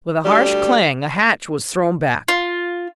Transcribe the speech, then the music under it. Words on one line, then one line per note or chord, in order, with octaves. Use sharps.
With a harsh clang a hatch was thrown back.
D2 G3
F4